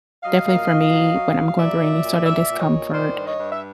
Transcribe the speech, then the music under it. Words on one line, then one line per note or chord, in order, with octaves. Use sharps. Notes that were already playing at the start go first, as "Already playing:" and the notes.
definitely for me, when I'm going through any sort of discomfort,
F#3 D#5 F5
A#2
A#2
F#3
F#3
F#3
F5
A#2 D5 E5
F#3
A#2
A#2 D5 E5
A#2
C#5 D#5
A#2
D#3 C5 D5
G2
C#5 D#5
G2
E5